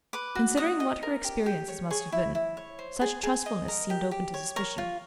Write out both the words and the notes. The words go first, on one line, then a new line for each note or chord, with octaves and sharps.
Considering what her experiences must have been, such trustfulness seemed open to suspicion.
B4 D6
F#4
F#4 D#6
D#5
A#4
G4
G4
C#5
G#4 C#6
E4
E4
C#5
C5
G#4
G#4
D#5
A#4
G4
G4
C#5
A#4 C#6
F4